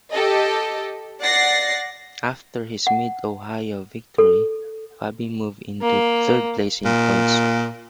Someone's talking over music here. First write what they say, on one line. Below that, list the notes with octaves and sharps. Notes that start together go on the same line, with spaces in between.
After his Mid-Ohio victory Fabi moved into third place in points.
G4 A4 D#5
D5 F#5 A6 A#6 C7
F#5
A4
A#3
A#2